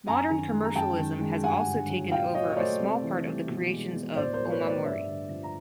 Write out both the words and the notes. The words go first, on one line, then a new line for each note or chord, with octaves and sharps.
Modern commercialism has also taken over a small part of the creations of "omamori".
F#2 G#5 A#5
D#3
G#3
A#5
F#2 G5 A5
D#3
G#3
G2 F#5 G#5
D3
F#3
A#2 F5 G5
F#3 C#5 D#5
C#5
A3 C5 D5
C3
E3
G3
B2
G#3
B2
A2 C5 D5
A#4 C5
F#3
C5
B4 C#5
A3
C5 D5
G2 D5 E5
D3
F3
A#5